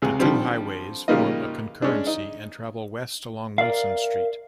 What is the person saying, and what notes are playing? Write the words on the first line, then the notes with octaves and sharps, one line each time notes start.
The two highways form a concurrency and travel west along Wilson Street.
C#2 C3 G#4
D3 D#3 F3 G3 C4
G#2 C#3 G3 A#3 F4 D#5
G#3 C#4 D4
D#4
A#4 D5 E5 F5